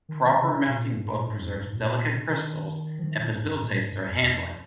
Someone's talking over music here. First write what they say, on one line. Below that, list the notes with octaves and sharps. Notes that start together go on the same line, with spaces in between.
Proper mounting both preserves delicate crystals, and facilitates their handling.
D#3
D#3
C3
C#3
C3
A#2
G#2
A#2
G#2
F2
G2
G#2
A#2
C3
D#3
F3
D#3
A#2
G#2
G2
G#2
A#2
G#2
G2
F2
F2